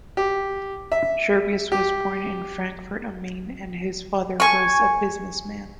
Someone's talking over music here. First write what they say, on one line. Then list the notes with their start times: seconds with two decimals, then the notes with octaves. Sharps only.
Scherbius was born in Frankfurt am Main and his father was a businessman.
0.17 G4
0.92 E5
1.72 G4
4.40 G#5 C#6